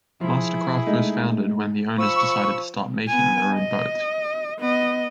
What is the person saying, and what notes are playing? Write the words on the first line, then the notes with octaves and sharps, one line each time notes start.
MasterCraft was founded when the owners decided to start making their own boats.
F3 E4 G#4
G#3 A3 D#4
F3 B5 C#6 E6
B3 G#5
D#5
B3 D#5